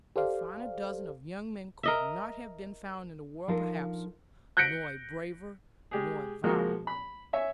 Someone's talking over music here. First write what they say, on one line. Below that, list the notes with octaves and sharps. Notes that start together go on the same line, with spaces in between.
A finer dozen of young men could not have been found in the world perhaps, nor a braver, nor a viler one.
G4 A4 C5 D5 F5
A#4 D#5 E5
F3 D4 D#4 F4 A4 A#4
F#6 G6 A#6 B6 C#7 D7
G#3 G4 G#4
F3 G#3 A#3 F#4
B5
C#5 E5 G#5